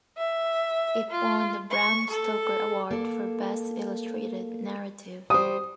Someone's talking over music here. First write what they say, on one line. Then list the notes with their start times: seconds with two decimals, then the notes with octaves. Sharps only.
It won the Bram Stoker Award for Best Illustrated Narrative.
0.18 E5
1.11 F4
1.70 C#6
2.10 A4
2.91 A#3 A4
5.30 G3 C5 D#6